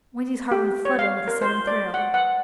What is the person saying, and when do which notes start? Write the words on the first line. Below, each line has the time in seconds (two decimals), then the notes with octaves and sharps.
Wendy's heart went flutter with a sudden thrill.
0.51 G4
0.85 C#5
0.99 F5
1.28 A#4
1.42 C5
1.67 D5
1.94 F#5
2.14 F#5